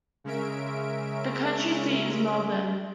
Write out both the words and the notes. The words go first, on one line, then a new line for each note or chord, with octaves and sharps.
The county seat is Melbourne.
C#3 G#3 C#4 A#4 E5 D7